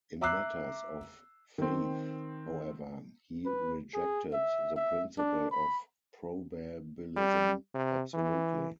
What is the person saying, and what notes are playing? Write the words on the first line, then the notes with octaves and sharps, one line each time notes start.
In matters of faith, however, he rejected the principle of probabilism absolutely.
E5 A#5 D6 E6 F#6 C7
D#3 C4
B4
G#4
E5
E5
D4
B5
G3
C3
E3